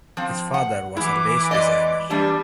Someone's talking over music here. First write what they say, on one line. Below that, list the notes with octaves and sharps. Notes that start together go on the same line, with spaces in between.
His father was a lace designer.
F3 C4
F#5
E3 E4 D6
G#3 D5 D#5
E2 G3 D4